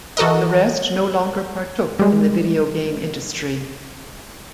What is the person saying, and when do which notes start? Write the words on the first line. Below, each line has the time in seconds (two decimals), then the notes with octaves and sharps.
The rest no longer partook in the video game industry.
0.17 E3 F#4 A4 A#4 D#5
1.99 G3 G#3